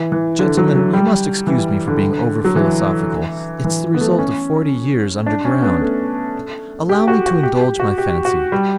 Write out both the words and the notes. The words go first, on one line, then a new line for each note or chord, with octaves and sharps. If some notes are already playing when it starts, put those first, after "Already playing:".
Gentlemen, you must excuse me for being over-philosophical; it's the result of forty years underground! Allow me to indulge my fancy.
Already playing: E3
E3
D3
F#3
F#3
G3
E3
D3
F#3
E3
E3
B3
A3
C#4
D4
C#4
B3
A3
G4
F#4
F#4
G4
G4
F#4
G4
F#4
G3